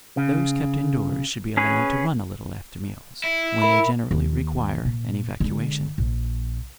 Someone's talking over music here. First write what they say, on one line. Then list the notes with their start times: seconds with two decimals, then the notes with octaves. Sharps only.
Those kept in-doors should be allowed to run a little after meals, when they generally require an evacuation.
0.17 C#3
1.57 C#4 G#4 B4 C#5
3.24 E4
3.62 A#4 E5 B5
4.11 D#2
4.85 A#2
5.40 D3 G#3
5.98 A#1